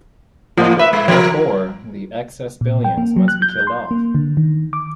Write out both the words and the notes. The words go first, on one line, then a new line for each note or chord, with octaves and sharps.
Therefore, the "excess" billions must be killed off.
A2 F3 A#3 D#5
B4 E5
G#3
F3 A#4
A#2
G5
A#3
F#3
F#6
G6
C6
A#3
D3
D#3
D6